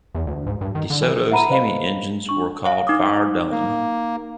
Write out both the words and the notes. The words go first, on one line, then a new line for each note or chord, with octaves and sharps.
DeSoto's Hemi engines were called Fire Dome.
E2
D2
G#2
G2
D#3
D3
E3
E5 F#5 A#5 B5 D#7
B4 C5 D#5 F5 B5
D4 C#6 F#7
C#5 F5
D#4 D6 D#6
A#3